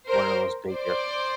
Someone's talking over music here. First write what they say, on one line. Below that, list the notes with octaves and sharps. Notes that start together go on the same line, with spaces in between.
one of those bigger
A#4 C5
C5 D5